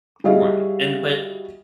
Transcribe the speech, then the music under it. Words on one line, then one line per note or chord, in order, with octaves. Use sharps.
M right. And but,
G3 E4 F#4 G#4 D#5 F5